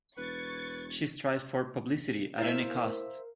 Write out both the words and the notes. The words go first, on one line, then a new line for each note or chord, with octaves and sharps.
She strives for publicity at any cost.
E1 B4 C#6 G#6 A6
E4 A#4 C5 E5 F5